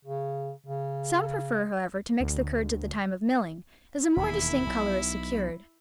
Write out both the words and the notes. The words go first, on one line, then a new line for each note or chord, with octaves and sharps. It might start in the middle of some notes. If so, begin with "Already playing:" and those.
Some prefer, however, to mix the curds at the time of milling, as a more distinct color is secured.
C#3
C#3
D2
E1 D#2 E4 B5
B1